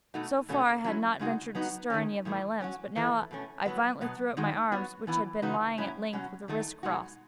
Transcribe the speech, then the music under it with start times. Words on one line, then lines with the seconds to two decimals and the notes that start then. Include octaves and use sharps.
So far, I had not ventured to stir any of my limbs--but now I violently threw up my arms, which had been lying at length, with the wrists crossed.
0.14 B2 A3 D#4 F#4
0.49 B2 A3 C#4 F#4
0.84 F#3 C#4 E4
1.19 C#3 G#3 D#4 F#4
1.55 F#3 B3 D#4 F#4
1.90 D#3 G#3 C#4
2.25 A2 E3 A3 E4
2.60 F#3 C#4 F#4
2.96 A2 E3 A3 E4
3.31 B2 A3 C#4
3.66 A2 F#3 B3
4.01 B2 F#3 B3
4.37 D#3 G#3 D#4 F#4
4.72 F#3 B3 F#4
5.07 E3 B3 E4
5.42 C#3 E3 B3 D#4 F#4
5.77 A2 F#3 C#4 E4
6.13 B2 F#3 C#4 F#4
6.48 D#3 F#3 A3 D#4
6.83 B2 G#3 D#4 F#4